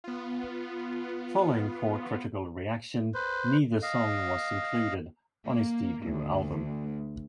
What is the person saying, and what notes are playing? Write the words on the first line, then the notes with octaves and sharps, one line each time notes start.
Following poor critical reaction, neither song was included on his debut album.
B3 F4
B4 C5
D#5 F5
A#3
D2